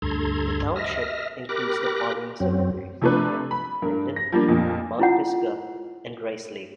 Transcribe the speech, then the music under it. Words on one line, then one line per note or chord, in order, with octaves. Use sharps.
The township includes the following cemeteries: Linden, Mount Pisgah and Rice Lake.
D2 G2 A4 A#5 C6 G#6
D#5 E5 F6 A#6
G4 A#4 B5 D6 F#6 A#6
F#2 F#3 C4
C3 F3 A3 D4 B4
B5
G2 A#4
A#6
F3 G3 A#3 D4
F2 A#2
E4 F4 F#5